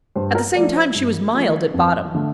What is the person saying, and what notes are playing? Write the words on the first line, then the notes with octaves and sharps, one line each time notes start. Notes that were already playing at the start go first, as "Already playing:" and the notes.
At the same time she was mild at bottom.
G2 C5
A#4
F3 A3 D5
C5
G2
F3 A3
F2
D3 A3